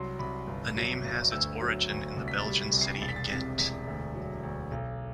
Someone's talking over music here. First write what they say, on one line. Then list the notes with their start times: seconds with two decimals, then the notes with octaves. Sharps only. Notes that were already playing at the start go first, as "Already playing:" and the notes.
The name has its origin in the Belgian city Ghent.
Already playing: C2 F#3 C6
0.19 C2 B5
0.47 G1
0.76 F#3
1.04 G1
1.32 D2 E6
1.61 F#3
1.89 D2
2.17 C2
2.28 B6
2.38 A6
2.46 G3
2.73 C2
2.81 C7
3.02 E1 A6
3.09 B6
3.16 A6
3.30 C3 A6
3.58 E1 B6
3.87 D2
4.15 F#3
4.43 D2
4.71 B1